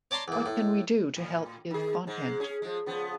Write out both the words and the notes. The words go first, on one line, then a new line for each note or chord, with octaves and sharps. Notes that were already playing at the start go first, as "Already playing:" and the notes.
What can we do to help give content?
C#5 D5 A5 A#5 C6
E2 A#2
A2
A2
D#3 G#4
G#2 G#3
C#4 G#4
F3 G#3
C#3 F3 B3